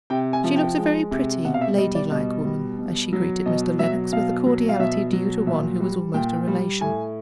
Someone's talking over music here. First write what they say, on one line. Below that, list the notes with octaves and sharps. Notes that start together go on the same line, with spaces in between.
She looked a very pretty lady-like woman, as she greeted Mr. Lennox with the cordiality due to one who was almost a relation.
C3 G5
G#5
F3
G5
G#3
C3
B2 F#5
F5
E5
G3 D#5
D5
B2 D#5
G3
B2
F#3
B2 D#5
F#3 E5
B2 F5
F#3
F5
B2 E5
F#3
A#2 E5
G3
A#2 G5
G3
A2 G#5